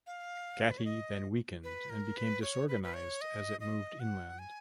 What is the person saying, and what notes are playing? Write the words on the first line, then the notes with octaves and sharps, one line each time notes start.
Gati then weakened and became disorganized as it moved inland.
F5
B4
C#5
D#5
B4
A#4
B4
C#5
B4
B4
C#5
D#5
D#5
F#5
G#5